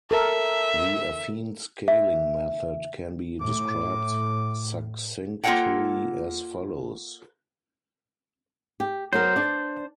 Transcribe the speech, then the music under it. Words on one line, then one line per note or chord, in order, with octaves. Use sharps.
The affine-scaling method can be described succinctly as follows.
A4 A#4 E5
E5
A2 D6
A#3 F4 A4 C#5 F#5 G5
G4
F#3 B3 A#4 C5
D4 D5